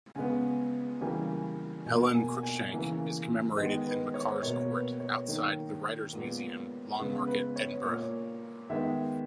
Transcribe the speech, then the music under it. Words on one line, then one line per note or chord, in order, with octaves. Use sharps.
Helen Cruickshank is commemorated in Makars' Court, outside The Writers' Museum, Lawnmarket, Edinburgh.
C#3 G#3 B3 G#5
C#3 E3 G3 A#3 G#5
B2 A#3 G#5
G#5
G#5
C#3 E3 A#3
D#3 G#3 B3 D#5
B4
C#5
B2 A#3 C#5
B4
C#5
D#3 A#3
A#2 G#3 B3
C#3 G#3 B3
B4
C#5
A#2 A#3 C#5
D#3 G#3 B3 E5